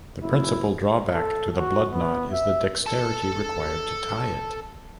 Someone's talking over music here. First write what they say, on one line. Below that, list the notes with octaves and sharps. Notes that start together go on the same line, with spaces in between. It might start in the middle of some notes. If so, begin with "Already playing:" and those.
The principal drawback to the blood knot is the dexterity required to tie it.
F#1 E4
A4
F#4
B3
E5
A4 A5